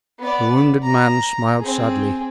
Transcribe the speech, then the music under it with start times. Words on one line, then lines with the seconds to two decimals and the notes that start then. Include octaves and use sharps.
The wounded man smiled sadly.
0.19 B3 D5
0.83 A#5
1.60 C4 G#4